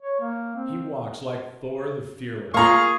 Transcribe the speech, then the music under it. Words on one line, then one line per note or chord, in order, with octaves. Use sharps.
"He walks like Thor the Fearless."
C#5
A#3
C4
A#3 F4 G#4 F5 A#5 C#6